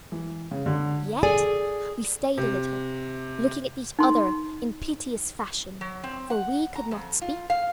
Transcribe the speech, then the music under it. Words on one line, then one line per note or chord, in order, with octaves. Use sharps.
Yet we stayed a little, looking at each other in piteous fashion, for we could not speak.
E3
C#3
D3
G#4 A4 D5 G#5
C3
D#4 C6
F#3
C4
F#5
A#5
F2
F4
F5